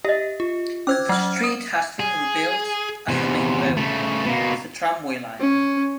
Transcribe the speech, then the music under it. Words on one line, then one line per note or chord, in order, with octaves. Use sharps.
The street has been rebuilt as a main road, with a tramway line.
G4 D#5 E5
F4
C#4 C5 D6 E6 G#6
F#3 F#5 F6
D#6
G#4
E2 C3
C#3 A3
B2 A#3
C#4